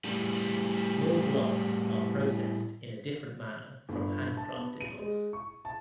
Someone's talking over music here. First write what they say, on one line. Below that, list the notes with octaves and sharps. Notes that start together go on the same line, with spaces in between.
Milled logs are processed in a different manner from handcrafted logs.
A2 G3
G1
A5
B3
D#7
G#3
C#6
A5